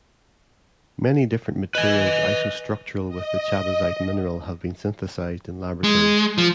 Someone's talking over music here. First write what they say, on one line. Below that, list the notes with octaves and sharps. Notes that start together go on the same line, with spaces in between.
Many different materials isostructural with the chabazite mineral have been synthesized in laboratories.
B4 D#5 G#5
D#5
G#3
F3